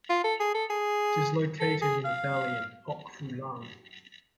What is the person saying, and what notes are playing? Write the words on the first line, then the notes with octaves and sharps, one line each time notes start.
It is located in a valley in Pok Fu Lam.
F4
A4
G#4
A4
G#4
A4
G#4
F5